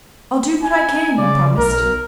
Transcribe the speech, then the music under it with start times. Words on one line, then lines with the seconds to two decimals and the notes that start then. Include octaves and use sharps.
"I'll do what I can," he promised.
0.63 G#5
1.18 C#3 D5
1.58 B1 A#4